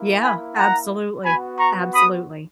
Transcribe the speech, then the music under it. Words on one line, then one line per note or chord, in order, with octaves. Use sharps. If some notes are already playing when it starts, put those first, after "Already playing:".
Yeah. Absolutely. Absolutely.
Already playing: A#3 E4
G#5 B5
F#5 A#5
B3 F#4 G#5 B5
A#5 C#6
B5 D#6